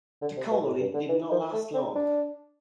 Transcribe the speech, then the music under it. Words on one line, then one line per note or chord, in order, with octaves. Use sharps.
The colony did not last long.
D3
C3
B2
A2
G2
D3
E3
F3
A3
C4
D4